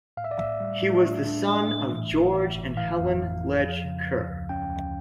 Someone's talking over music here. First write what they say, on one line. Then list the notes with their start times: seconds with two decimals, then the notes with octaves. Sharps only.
He was the son of George and Helen Legge Kerr.
0.17 A2 F5
0.24 E5
0.31 D5
0.39 A2 E5
0.60 G3
0.83 A2
1.04 D4
1.25 D4
1.48 D4
1.68 A2
1.91 E3
2.12 G1
2.33 E3
2.55 G1
2.77 E3 F5
2.99 F2
3.21 F2
3.42 F2
3.64 F3
3.85 C#3
4.07 C#3
4.29 D2
4.49 C#4 G5
4.72 D2